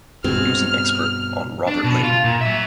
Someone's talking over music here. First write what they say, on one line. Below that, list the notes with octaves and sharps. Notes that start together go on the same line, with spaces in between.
He was an expert on Robert Leighton.
G2 B2 C4 G#4 F6
D4
B2
F4
A#2
F#3 E5